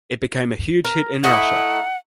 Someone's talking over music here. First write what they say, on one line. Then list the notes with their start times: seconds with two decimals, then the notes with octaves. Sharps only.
It became a huge hit in Russia.
0.85 A#4
1.24 A3 D#4 E4 F#5